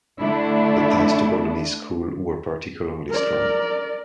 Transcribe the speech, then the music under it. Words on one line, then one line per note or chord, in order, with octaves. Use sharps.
The ties to Bolognese School were particularly strong.
D3 A3 D4 E4
A#4 D5